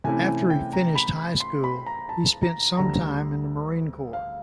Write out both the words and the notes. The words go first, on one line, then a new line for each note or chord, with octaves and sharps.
After he finished high school he spent some time in the Marine Corps.
C3 E3 A3 C#4 E4 G#5
G#5
G5
A#5
B5
C6
B5
A#5
A5
A#5
D2 D3 G3 A#5
F5